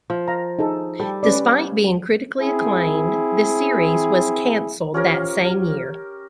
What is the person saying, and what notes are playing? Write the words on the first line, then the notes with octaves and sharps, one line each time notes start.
Despite being critically acclaimed, the series was canceled that same year.
F3
F5 A#5
D#4 G#4 A4
G3 G4 A4
C#4 B4 D5
C4 E4 G#4
C#4 F4 G4 A#4 C5 C#5